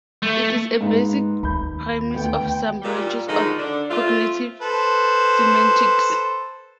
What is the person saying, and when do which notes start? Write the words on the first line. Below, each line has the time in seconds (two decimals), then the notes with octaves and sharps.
It is a basic premise of some branches of cognitive semantics.
0.22 A3
0.81 G#2 A#3 D#4 B4
1.43 D#2 B5 G6
2.14 D2 B3 G5
2.82 A#2 G3
3.28 D3 D#3 F3 G#3 D#4
3.58 D3 D4
3.90 A3 C4 F4
4.62 A4 B4 C5